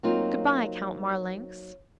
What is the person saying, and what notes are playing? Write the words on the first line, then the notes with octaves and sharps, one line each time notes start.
"Good-bye, Count Marlanx."
F#3 A#3 C4 D#4 F4